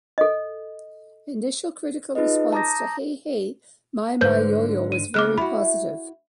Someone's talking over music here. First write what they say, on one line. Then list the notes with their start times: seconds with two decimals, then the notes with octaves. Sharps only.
Initial critical response to "Hey Hey My My Yo Yo" was very positive.
0.18 A4 D#5
2.15 D#4 F4 G#4 B4 D#5
2.53 A5 A#5 D6 D#6 G6 A#6
4.21 G#2 D3 B4 C5 G6
4.92 D#7
5.14 C#3 A#3 D6 F6 F#6
5.38 E4 F#4 B5